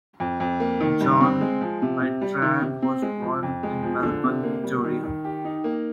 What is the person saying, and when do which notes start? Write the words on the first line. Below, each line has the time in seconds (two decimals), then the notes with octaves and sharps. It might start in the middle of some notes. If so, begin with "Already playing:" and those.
John Bertrand was born in Melbourne, Victoria.
0.20 F2
0.40 F2
0.60 A#3
0.80 D#3
1.01 G2
1.21 C4
1.41 G#3
1.61 F3
1.82 C3
2.02 C3
2.21 G3
2.42 D#3
2.62 C3
2.82 C4
3.02 G#3
3.22 F3
3.43 F2
3.63 G#3
3.83 F3
4.03 D3
4.24 C3
4.43 A#3
4.64 G3
4.84 D#3
5.04 D#3
5.25 G4
5.45 D#4
5.64 A#3